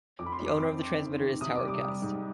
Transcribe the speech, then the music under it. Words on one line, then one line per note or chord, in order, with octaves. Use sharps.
The owner of the transmitter is Towercast.
F2 D6
B5
C6
F2
D6
C4 D6
C4
D#3
D#3
C3 D#6
D6
G3
D6
G3
G#2